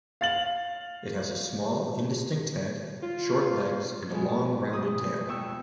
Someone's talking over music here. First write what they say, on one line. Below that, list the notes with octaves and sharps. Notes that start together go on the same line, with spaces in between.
It has a small, indistinct head, short legs, and a long, rounded tail.
F5 A6 F#7
F4
B2 F3 G#3
D2 B5 D#6
F2 B3 G5 C#6 E6